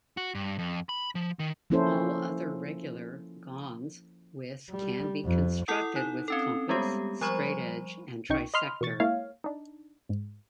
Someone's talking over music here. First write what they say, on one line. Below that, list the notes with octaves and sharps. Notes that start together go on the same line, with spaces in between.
All other regular -gons with can be constructed with compass, straightedge and trisector.
F#4
G2
F2
B5
F3
D#3
F3 A#3 C#4 E4 A4 C5
G3
F2
E4 A4 F#5 D#6
D#4
C4 C#4 A4
G3 G#3 B3 G4
F3 G3 C5 B5 C#6
C2 C#3 D#4 G5 C#6
D#5 B5 C6 F6
B2 E3 C#6 A6
G#3 A#3 E4 C#5 F5
D4 D#4
G#2